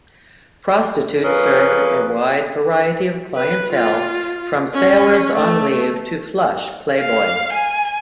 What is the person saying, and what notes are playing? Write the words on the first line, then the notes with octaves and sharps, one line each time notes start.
Prostitutes served a wide variety of clientele, from sailors on leave to flush playboys.
F2 C#4 G#4 A#4 B4
B4
F4
C#4
A3
F5
G#5